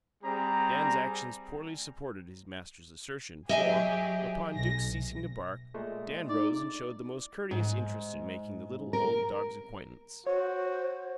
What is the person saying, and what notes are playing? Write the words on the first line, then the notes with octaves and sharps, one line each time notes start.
Dan's actions poorly supported his master's assertion, for, upon Duke's ceasing to bark, Dan rose and showed the most courteous interest in making the little, old dog's acquaintance.
G3 C4 G#4 A#5
F#3 G4 G#4 D#5 E5 G#5
B1 A#6
A#2 G#3 A3
D#4 D5
G#2
A#4
F#4 C5 C#5